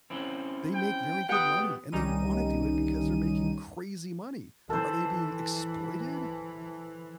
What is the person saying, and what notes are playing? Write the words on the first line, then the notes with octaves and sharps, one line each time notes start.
they make very good money, and they wanna do it because they're making crazy money. Are they being exploited?
C4 C#4 E4
G5
B3 G4 F#5 G5 D#6
C2 D#3 G3 C#4 D#4 D#7
E3 A4 C5